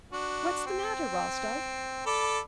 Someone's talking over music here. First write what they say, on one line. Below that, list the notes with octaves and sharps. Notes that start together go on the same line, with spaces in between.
What's the matter, Rostov?
D4 F#4
C4
A4 D5 B5